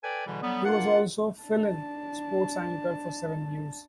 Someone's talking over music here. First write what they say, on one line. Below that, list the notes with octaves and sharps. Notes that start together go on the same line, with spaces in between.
He was also 'fill-in' sports anchor for Seven News.
A4 B4 D5 G5 G#5
E2 B2 D3 E3 G3
D3 F#3 G3 B3
A#3 D4 F4 F#5
D4 A5